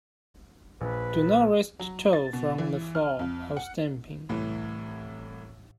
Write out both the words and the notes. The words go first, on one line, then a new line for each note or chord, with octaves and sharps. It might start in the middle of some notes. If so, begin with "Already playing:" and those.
Do not raise the toe from the floor while stamping.
A#1 B4
F#3
A6
B2
E3
F6
F2
F#5
C2 A2 E3